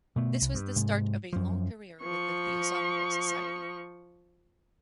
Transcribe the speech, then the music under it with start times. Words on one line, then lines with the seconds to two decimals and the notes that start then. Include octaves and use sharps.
This was the start of a long career with the Theosophical Society.
0.16 B2 A3
0.41 C2
0.54 G2
0.76 G#2 C3
1.33 F#2 F3
2.02 F3 C#6